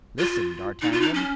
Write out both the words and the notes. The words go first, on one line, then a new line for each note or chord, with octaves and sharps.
Listen, D'Artagnan.
F4
D#4
F4
D#4
C#4